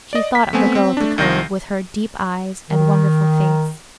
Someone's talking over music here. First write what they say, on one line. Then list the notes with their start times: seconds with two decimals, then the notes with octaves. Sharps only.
She thought of the girl at the Cove, with her deep eyes and wonderful face.
0.13 D5 D#5
0.35 B6
0.53 A3 B3 C4 G#5
0.75 C4
0.97 A3 D4
1.18 C2 D#3 G6 A#6 C7
2.71 D#3